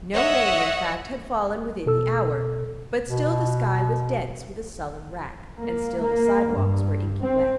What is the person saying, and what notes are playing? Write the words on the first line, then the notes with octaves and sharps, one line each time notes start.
No rain, in fact, had fallen within the hour; but still the sky was dense with a sullen rack, and still the sidewalks were inky wet.
C#5 D#5 E5 F#5
B2 A4 E6
B2
A#3
A#3
G2
C4